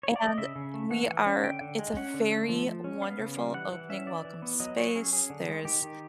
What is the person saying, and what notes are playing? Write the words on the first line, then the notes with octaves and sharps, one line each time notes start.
and we are it's a very wonderful opening welcome space, there's,
C#5
D5
D#5
C#3 E5
C#3
A3
E3 F#5
E3
C#4
D3 G5
D3
G#3
C#4 F#5
D3
A3
F3
F3
C#4
B3 F5
C#3
G3
E3 F#5
E3 F#5
C#4 E5
E3 D5
E3
B3
F#3 D#5
F#3 C#5
C#4 G#4
C#4 G#4
D3
G#3
D#3 G4
D#3